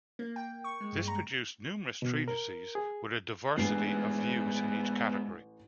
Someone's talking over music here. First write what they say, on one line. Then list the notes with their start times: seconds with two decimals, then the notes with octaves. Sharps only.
This produced numerous treatises, with a diversity of views, in each category.
0.19 A#3
0.36 G5
0.64 C#6
0.81 G#3
0.92 G2
1.08 A#5
2.02 B2
2.28 A#4
2.75 G#4
3.58 A1 A2 G#3 B3 D4 G#4 C7